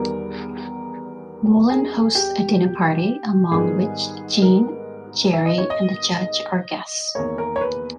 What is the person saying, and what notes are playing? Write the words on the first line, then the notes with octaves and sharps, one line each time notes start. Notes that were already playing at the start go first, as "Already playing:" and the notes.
Vollin hosts a dinner party, among which Jean, Jerry, and the Judge are guests.
Already playing: E2 D#3 G3 B3 A#4
G#4
G4
G#2 D#3 G3 B3 G#4
A#4
E5
D#5
C#5
D#5
E2 D#3 A#3 C#5
A#4
C#5
B4